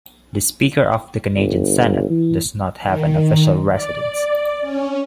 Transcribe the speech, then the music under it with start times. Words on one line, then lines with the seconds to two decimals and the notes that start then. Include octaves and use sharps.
The Speaker of the Canadian Senate does not have an official residence.
1.36 G1
2.10 E3
2.81 D#3
3.72 D5
4.61 C#4